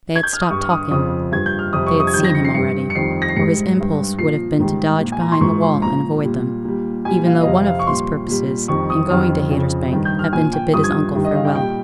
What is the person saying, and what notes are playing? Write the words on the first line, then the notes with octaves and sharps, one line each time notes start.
They had stopped talking; they had seen him already, or his impulse would have been to dodge behind the wall and avoid them; even though one of his purposes in going to Haytersbank had been to bid his uncle farewell.
G#6
G6
F6
D#6
G2 G3 C#6
F6
D#6
F2 C#3 F3 D#6
G2 F3 G#6
G6
F6
F2 C3 G3 D#6
C#6
D#6
G#6
F2 D#3 G3 G6
A#6
C#7
C7
G2 G3 C#7
C#7
F2 D#3 G3 C7
A#6
C7
G#2 G3 C#7
G2 G3
A#2 F3 C7
G#2 D#3 G3
A#2 F3
G#5
A#5
C6
G#2 F3 C#6
C6
A#2 F3 A#5
A#2 G3
A#2 G3
A#2 G3 G#5
F5
D#5
F2 C3 F3 F5
F5
C#6
A#2 G3 C6
A#2 G3
F2 D#3 G3 C#6
D#6
F2 D#3 G3 F6
F2 C#3 F3
G2 D#3 G3
G6
F6
A#2 F3 G#5
G5
G2 F3 D#6
G#6
G2 D#3 G3
D#5
F5
G5
A#2 G3 G5